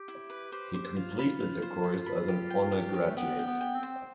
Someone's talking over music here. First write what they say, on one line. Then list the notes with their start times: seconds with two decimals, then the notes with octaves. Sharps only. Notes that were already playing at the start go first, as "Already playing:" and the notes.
He completed the course as an Honor Graduate.
Already playing: G4
0.08 E4
0.30 B4
0.52 G4 C5
0.74 G4 C5
0.96 F4 F5
1.19 F4 B5
1.40 F5
1.62 C5
1.84 B5
2.06 B5
2.28 G4
2.50 G5
2.72 G4
2.94 G4
3.07 A3
3.16 B3 G4
3.39 G5
3.46 B3
3.61 G5
3.75 C4
3.83 C5